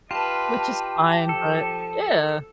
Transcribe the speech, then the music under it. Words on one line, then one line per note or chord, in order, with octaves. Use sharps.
Which is fine. But, yeah.
F4 G4 B4 D#5 A5
F3 A4